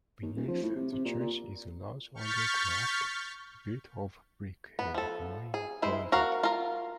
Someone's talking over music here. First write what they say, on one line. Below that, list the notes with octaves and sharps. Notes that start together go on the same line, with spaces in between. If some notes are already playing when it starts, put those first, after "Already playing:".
Beneath the church is a large undercroft, built of brick and groin vaulted.
D#2
D#1
F3
A2
C3
C3
A#2
A#2
C#6 F6 G6 A6 B6
B3
F3 A4
G#4
G#3 E4 C5
F#4 A#4 F5
F4 A#4